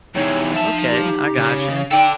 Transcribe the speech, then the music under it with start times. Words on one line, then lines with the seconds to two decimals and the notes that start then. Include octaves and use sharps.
Okay, I gotcha.
0.15 E2 C3 D#4 C#5
0.53 F3 E5 A5
0.91 G4
1.37 C#3
1.91 D#4 A4 D5 G5